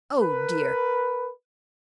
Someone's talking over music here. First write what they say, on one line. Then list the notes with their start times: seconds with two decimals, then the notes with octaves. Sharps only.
Oh dear!
0.20 A#4 B4